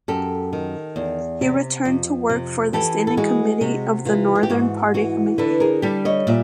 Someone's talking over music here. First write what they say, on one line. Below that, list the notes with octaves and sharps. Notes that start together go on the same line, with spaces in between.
He returned to work for the Standing Committee of the Northern Party Committee.
F#2 G4 A4
D#3
E2
C3
F2
C3
E3 G4 A4
A4
G#3 F#4 G#4
C3 F#4
E3 F4
G#4
G4
G#2 F#4
E3 F#4
D3 A4 B4
G#4 A#4
G3 G4 A4
C#5 D#5
A#2 D5 E5